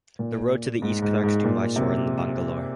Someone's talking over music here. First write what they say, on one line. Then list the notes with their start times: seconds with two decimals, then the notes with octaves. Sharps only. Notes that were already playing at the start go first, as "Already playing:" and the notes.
The road to the east connects to Mysore and Bangalore.
0.19 A#2
0.82 G#2
1.02 G#2
1.24 G#2
1.44 A#2
1.76 C3